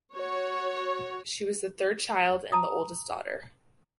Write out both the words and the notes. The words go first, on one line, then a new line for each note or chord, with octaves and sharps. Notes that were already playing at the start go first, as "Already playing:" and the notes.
She was the third child and the oldest daughter.
F#4 C#5
A5 A#5 D#6